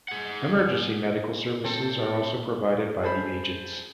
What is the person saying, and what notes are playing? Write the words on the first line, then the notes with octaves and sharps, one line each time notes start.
Emergency Medical Services are also provided by the Agents.
G#4 F#5
A#2 C4 A4
G#4 A4 C5 B5